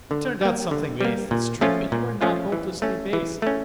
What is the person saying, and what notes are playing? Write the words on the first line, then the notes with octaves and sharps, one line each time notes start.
It turned out something base, that's true, but you are not hopelessly base.
D3
G3 A#3
D3
G3 A#3
A#2
F3 A3 C#4 F4
A#2
F3 A3 C#4 F4
E3
A3 C#4
E3
A3 C#4